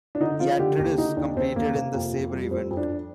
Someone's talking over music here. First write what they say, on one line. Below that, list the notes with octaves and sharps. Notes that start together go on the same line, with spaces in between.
Iatridis competed in the sabre event.
D4
D3 D#4
F3 F4
D3 G4
D#2 G4
D3 D#4
D#2 D4
D#2 C4
D#2 A#3
C3 A#3
F2
F2
G3
F2 C4
F2
D4